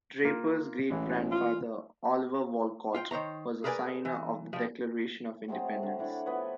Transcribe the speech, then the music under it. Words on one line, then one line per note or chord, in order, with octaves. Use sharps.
Draper's great-grandfather, Oliver Wolcott, was a signer of the Declaration of Independence.
A#3 F4
A1 E3 G#3
F4
F4 F5 G5
D#3 C5 C#5 A#5
G#4 A#4 B4 D5 F5 G#5
E3
F3 G3
F#3 G#3 A3 C4
D3
D4 E4 C#5 F#5
F3 B3 B4 C#5